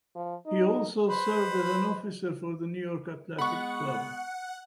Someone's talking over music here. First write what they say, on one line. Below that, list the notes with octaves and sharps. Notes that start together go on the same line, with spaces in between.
He also served as an officer for the New York Athletic Club.
F3
D#4
B4 C5 B5
G#3 B3 F#5 B5 C#6